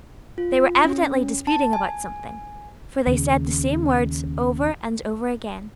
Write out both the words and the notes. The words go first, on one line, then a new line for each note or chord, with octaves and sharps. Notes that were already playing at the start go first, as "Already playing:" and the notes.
They were evidently disputing about something, for they said the same words over and over again.
F4
C#4
A5
G#5
D#2 C#3